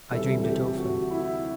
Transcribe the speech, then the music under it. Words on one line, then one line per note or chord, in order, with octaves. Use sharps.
I dreamed it often.
D2 C3 E3 G3 A4
G4
F#4
E4